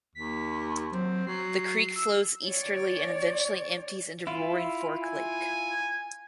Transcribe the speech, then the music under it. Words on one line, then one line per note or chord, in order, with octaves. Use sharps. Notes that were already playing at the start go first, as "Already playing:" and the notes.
The creek flows easterly and eventually empties into Roaring Fork Lake.
D#2 B6
F#3 C4
F#3 C7
E6
C#5 D5
E4 F4
G#5